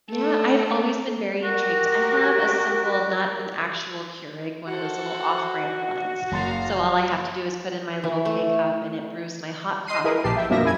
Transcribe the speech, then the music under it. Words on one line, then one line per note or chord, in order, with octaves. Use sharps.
yeah, I've always been very intrigued. I have a simple, not an actual Keurig, one of those little off-brand ones, so all I have to do is put in my little K-Cup, and it brews my hot coffee.
A3
F#4 G4 A#4
F#4 A4 C5 F#5
F#1 F5 A#5 C6 A6
E3
A3
D#5 C6 C7 D#7
E4 G#4 A#4 B4 D#5
A#1 G4 A5 C7
E5 G5
G2 B2 F3 A#3 E5 A#6
F#2 E4 G#5 G#6